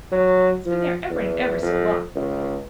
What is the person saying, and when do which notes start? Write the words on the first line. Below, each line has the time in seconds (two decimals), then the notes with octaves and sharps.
It's been there ever and ever so long!
0.12 F#3
0.65 F3
1.10 E2
1.62 F2
2.16 C#2